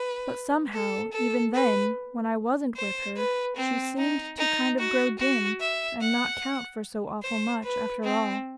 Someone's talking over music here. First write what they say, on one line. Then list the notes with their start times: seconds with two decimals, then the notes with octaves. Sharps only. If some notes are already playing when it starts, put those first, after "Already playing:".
But, somehow, even then, when I wasn't with her she seemed to kind of grow dim and not count for so awful much after all.
Already playing: B4
0.73 A4
1.13 A4
1.54 B4
2.76 C5
3.16 B4
3.56 C4
3.98 D#4
4.38 D#4
4.79 F#4
5.19 F#4
5.60 E5
6.01 F#5
7.22 C5
7.64 B4
8.04 C4